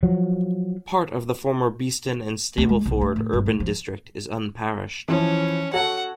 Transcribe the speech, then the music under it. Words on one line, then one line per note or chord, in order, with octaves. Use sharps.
Part of the former Beeston and Stapleford Urban District is unparished.
F3 F#3
D2
G#3
B1
A3
A2
G1
A2
F3
E3 F3 C#4
F#4 A4 C#5 F#5